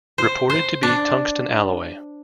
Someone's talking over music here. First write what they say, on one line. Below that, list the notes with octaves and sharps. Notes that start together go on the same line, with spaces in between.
Reported to be tungsten alloy.
C5
C5
D4